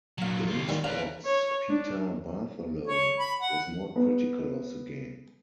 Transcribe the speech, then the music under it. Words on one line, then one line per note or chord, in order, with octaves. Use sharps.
GameSpot's Peter Bartholow was more critical of the game.
A#2 F#3 F5 A5
D#2 F4
G#2 D#3 G3
C#3 D4 B4 F5 A#5
C#5
D4
C#5
B5
F#5
B3